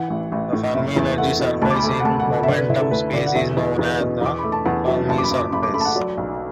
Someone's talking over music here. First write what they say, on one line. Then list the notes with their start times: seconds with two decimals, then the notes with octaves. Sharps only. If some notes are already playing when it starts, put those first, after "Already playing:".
The Fermi energy surface in momentum space is known as the Fermi surface.
Already playing: E3 F#5
0.10 A1
0.32 A1
0.53 A2
0.75 F#1 E5
0.96 E2
1.18 A3 F#5
1.39 B2
1.62 D2 A5
1.70 D6
1.76 B5
1.84 A3
2.00 F#5
2.05 D2 A5
2.20 F#5
2.27 D3
2.34 F#5
2.43 E5
2.48 D3 D5
2.59 B4
2.70 D3 E4
2.81 A4
2.91 D2 B4
3.13 D3 D5
3.26 F#5
3.35 E2 E5
3.57 E2
3.79 E2
4.00 B2
4.22 E2 D6
4.39 B5
4.44 A3
4.52 A5
4.65 E2 F#5
4.87 F#3 E5
5.09 F#1 A5
5.18 D6
5.23 B5
5.31 F#1
5.38 D6
5.52 F#1 B5
5.63 D6
5.74 A3 B5
5.80 A5
5.85 F#5
5.96 F#3 D5
6.18 B1